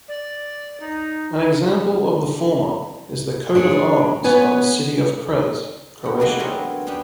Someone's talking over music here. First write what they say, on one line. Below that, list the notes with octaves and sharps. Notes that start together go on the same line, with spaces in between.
An example of the former is the coat-of-arms of the city of Cres, Croatia.
D5
D#4
D4 G#4 C#5
B3 B4 C#5 G#5
G4 F#5
B2 E3 F#3 G#3 A#3 B3
D3 F#3 B3 C4 A#4 C#5
B3 C#4 D4 G4